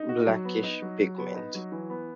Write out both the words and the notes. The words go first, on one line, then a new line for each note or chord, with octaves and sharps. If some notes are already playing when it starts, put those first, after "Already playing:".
Blackish pigment.
Already playing: D#4
F#4
F#3
B3
D#4
F#3
F#3
B3
D#4
F#3
E3
B3